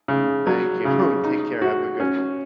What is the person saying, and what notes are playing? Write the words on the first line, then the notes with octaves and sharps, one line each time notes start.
Thank you. And, take care. Have a good one.
C#3
F#3
C#3
D#4
F#4
C#4